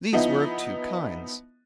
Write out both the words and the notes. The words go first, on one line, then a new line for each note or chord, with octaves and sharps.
These were of two kinds.
F3 B3 D#4 E4